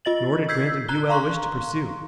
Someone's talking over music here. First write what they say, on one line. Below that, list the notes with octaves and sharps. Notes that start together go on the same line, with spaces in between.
Nor did Grant and Buell wish to pursue.
F4 D#5 A6 F#7
E6 G6 G#6 B6 C7
A#5 F#6 G7
F5 A#5 C6 C#6 F#6